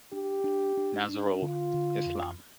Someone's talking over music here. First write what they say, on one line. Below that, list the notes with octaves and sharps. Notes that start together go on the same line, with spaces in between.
Nazrul Islam.
D4 G4
D4
D4
D4
D3 F4
D3
F2